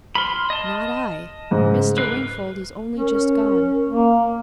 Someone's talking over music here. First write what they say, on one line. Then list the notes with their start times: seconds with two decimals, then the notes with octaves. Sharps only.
"Not I! Mr. Wingfold is only just gone."
0.15 B5 C6 F6
0.50 D#5 A5
1.51 G#2 C#3
1.98 A#4 B4 C7
2.96 C#4 A#4
3.89 A#3